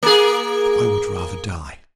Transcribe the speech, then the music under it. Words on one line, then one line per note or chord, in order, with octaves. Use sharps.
I would rather die.'
A#3 G#4